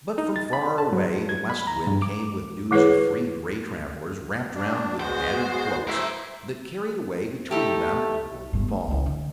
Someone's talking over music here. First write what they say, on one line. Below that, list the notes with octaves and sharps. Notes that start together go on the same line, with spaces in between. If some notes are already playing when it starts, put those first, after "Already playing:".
But from far away the West Wind came with news of three grey travellers wrapt round with battered cloaks that carried away between them a golden ball.
D#4
A6
B5
A5
F#3
G#6
B5
A#5
G2
D6
D#3 G#3 E4 G#4 B4 C#5
D4
G#3 B3 F#4 C5
A3 E4 A#4 C5 E5
A3 D#4 E4 G4
G1 A#2
A3
C#2 E3
D3